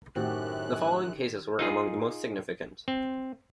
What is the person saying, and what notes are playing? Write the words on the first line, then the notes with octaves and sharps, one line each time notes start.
The following cases were among the most significant.
F#2 A2 D#3 C4 F#4 G4 F#6
D#4 F4 G#4
C4